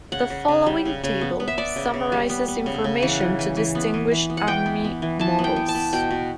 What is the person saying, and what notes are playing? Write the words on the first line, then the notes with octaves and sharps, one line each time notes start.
The following table summarises information to distinguish Ami Models.
C#3 F#5
C#3
C#3
G3
C#3
C#3
B3
B3
E5
B3 D5
C#3
C#3
G3
B3
B3
C#3
C#3
E3 F#5
E3
E3
E3
B3
E3
E3
B3
F#5
E3 G5
B3
B3
E3
E3 A5
B3
G5
B3
A5
B3
B2 G5
B2